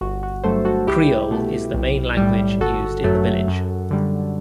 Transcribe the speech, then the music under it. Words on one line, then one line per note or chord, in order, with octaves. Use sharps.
Creole is the main language used in the village.
G1 F#4
F#4
G2 F#3 A3 A4 C5
F#4 A4
C2 E4 G4
B2 A3
B1
A2 G3
G1 F#4 A4
F#2 F#3 A3
F#2
D3 G3